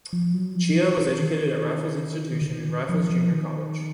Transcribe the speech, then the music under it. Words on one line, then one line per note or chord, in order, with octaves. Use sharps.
Xie was educated at Raffles Institution and Raffles Junior College.
F3
F#3
F3
E3
E3
D#3
D3
D#3
F3
F3
D#3